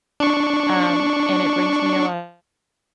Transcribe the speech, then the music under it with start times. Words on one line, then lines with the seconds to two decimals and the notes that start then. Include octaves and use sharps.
um, and it brings me a lot
0.20 D4 C#6